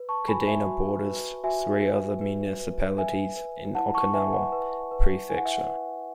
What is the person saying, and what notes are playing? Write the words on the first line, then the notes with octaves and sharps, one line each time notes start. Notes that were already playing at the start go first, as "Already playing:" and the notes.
Kadena borders three other municipalities in Okinawa Prefecture.
Already playing: B4
A5 C#6
F#4 G#5 B5
E5 G#5
F#4
B4
F#4 E5 G#5
B4
B4
B4
B4 E5 G#5
B4
E4 F#5 A5
A5 C#6
B4 E5 G#5
F#5
B4
B4
E4 G#5
F#5
E5
F#5
B4